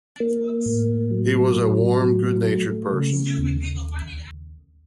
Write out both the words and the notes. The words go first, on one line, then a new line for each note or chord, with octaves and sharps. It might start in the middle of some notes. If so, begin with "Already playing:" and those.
He was a warm, good-natured person.
A#3
A2
F#3
A2
F#3
A3
C#3
D#2